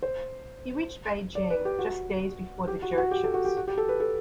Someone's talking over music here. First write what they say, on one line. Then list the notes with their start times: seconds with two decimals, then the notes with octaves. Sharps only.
He reached Beijing just days before the Jurchens.
0.02 C5
1.35 D5
1.50 B4
1.65 G4
1.79 F#4
2.68 G4
2.82 F#4
2.98 F#4
3.11 G4
3.23 A4
3.34 F#4
3.45 G4
3.57 F#4
3.67 G4
3.78 A4
3.89 B4
4.00 A4